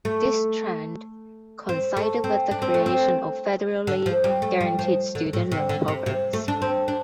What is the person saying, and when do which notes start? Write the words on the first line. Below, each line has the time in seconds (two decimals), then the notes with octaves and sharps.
This trend coincided with the creation of Federally guaranteed student loan programs.
0.05 A3
1.69 C4
1.97 A3
2.24 C4
2.51 D4
2.62 C4
2.74 A3
2.86 C4
3.87 D3
4.06 F3
4.24 G3
4.42 A3
4.61 G3
4.79 F3
5.15 D3
5.33 A2
5.52 C3
5.69 D3
5.88 C3
6.06 C3
6.33 A3
6.48 D4
6.62 C4
6.88 D4